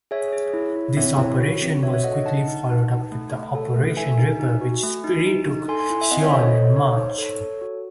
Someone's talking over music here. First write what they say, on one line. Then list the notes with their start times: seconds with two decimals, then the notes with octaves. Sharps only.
This operation was quickly followed up with Operation Ripper, which retook Seoul in March.
0.11 G#4 C#5 E5
0.33 G#4
0.54 E4
0.76 E4
0.97 C4 C#5 E5
1.19 E4
1.40 F#4
1.62 C4
1.82 F#4 C#5 E5
1.93 C#5 E5
2.04 A4 D#5 F#5
2.15 D#5 F#5
2.26 D#4 F#5 A5
2.48 D#4
2.69 D#4
2.90 D#4
3.12 A3
3.33 A3
3.55 A4
3.76 A3
3.97 A4 E5 G#5
4.18 D#4
4.40 D#4
4.61 F#4
4.83 A3
5.04 D#4
5.26 D#4
5.48 D#4
5.68 A4 G#5 C6
5.79 G#5 C6
5.90 E4
6.01 E5 G#5
6.11 C4 D#5 F#5
6.22 C#5 E5
6.33 A4 C5 D#5
6.43 C#5
6.54 A4 C#5
6.76 D#4 C#5
6.97 D#4 C5
7.18 A4 C#5
7.41 A4
7.61 F#4